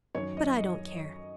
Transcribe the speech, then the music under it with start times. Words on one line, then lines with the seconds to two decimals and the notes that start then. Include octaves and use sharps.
But I don't care.
0.15 F#2 D#3 F#3 C#5
0.37 D#5
0.59 D#5